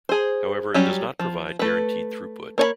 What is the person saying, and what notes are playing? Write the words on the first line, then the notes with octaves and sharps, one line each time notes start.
However, it does not provide guaranteed throughput.
G#4 C5
F#3 G3 C#4 G4
F3
A3 B4
A#3 C#5 D5 B5